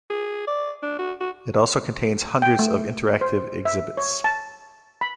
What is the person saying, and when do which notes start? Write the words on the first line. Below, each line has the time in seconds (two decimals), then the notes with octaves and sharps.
It also contains hundreds of interactive exhibits.
0.10 G#4
0.47 D5
0.83 D4
0.99 F#4
1.20 F#4
2.42 G5
2.59 A3
3.21 C5
3.65 E5
3.97 C#5
4.24 A5
5.01 B5